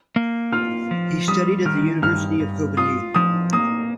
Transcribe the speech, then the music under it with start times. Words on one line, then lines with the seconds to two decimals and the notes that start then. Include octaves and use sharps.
He studied at the University of Copenhagen.
0.16 A#3
0.52 F4 F6
0.91 F3
1.28 G3 D#6
1.65 D#3 F6
2.02 G2 F6
2.40 G2
2.77 F4 D#6
3.14 F3 D#6
3.53 A#3 D#6